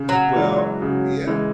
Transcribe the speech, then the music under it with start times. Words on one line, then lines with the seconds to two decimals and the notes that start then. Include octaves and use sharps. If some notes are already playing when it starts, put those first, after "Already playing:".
Well, yeah
Already playing: C#3
0.09 F#3
0.36 E3 G#3
0.82 C#3
1.27 E3 G#3